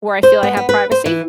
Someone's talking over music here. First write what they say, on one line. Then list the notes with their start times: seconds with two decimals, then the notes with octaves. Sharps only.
where I feel I have privacy.
0.23 C5
0.43 B3
0.57 B3
0.69 B4
0.91 C5
1.06 E3